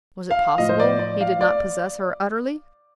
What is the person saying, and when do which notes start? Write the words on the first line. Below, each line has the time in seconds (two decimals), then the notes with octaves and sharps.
Was it possible he did not possess her utterly?
0.31 F5
0.58 A2 F3 D#5
0.69 C5
0.80 D5
0.99 D5
1.21 F5
1.41 D5